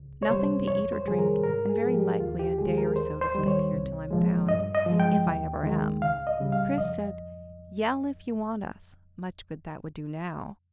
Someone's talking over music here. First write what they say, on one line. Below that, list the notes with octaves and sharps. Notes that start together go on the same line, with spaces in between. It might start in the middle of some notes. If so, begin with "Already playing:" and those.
Nothing to eat or drink, and very likely a day or so to spend here till I'm found, if I ever am. Chris said, 'Yell, if you want us.' Much good that would do now!
Already playing: C#2
C#5
C3 G3 C5
F2 C#5
C5
C3 D#3 G3 G#4
A#4
G#2 A#4
G#4
F3 G#3
G4
D#2 F4
G4
D#3 G#3 G#4
A#4
D#2 C5
C5
D#3 G3
C#5
C2
A#2 F3 G#3
G2 D#5
D#5
F3
G#3
G5
D#2
D#3 G#3
C#2 F5
D#5
C#3 G3
F5
F2 D#5